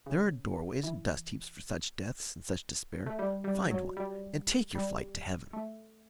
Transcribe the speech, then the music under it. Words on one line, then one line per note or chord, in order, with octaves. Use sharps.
There are doorways and dust-heaps for such deaths, and such despair--find one, and take your flight to Heaven!'
C#3
E3
A3
G3
G3
F#3
G3
G3
A3